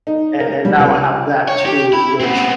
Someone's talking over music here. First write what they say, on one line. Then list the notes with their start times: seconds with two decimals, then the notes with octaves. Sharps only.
and and now I have that too, which
0.07 D#4
0.40 A#4
0.65 G3
0.79 C#2
1.48 C#5
1.66 G4
1.93 E4
2.20 B3 C4